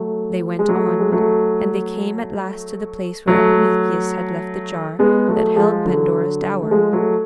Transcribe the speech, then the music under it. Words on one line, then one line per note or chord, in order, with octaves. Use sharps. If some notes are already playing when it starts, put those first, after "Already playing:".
They went on, and they came at last to the place where Epimetheus had left the jar that held Pandora's dower.
Already playing: F#3 A3
G#3
F#3 A3
G#3
F#3 A3
F#3 A3
G#3 B3
F#3 A3
F3 G#3
D3 F#3
A3
F3 G#3
F#3 A3